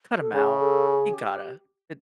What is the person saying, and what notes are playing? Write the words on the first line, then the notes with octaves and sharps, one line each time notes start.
cut 'em out. You gotta. It
A4
C#3 G#4
A4
G#4
G4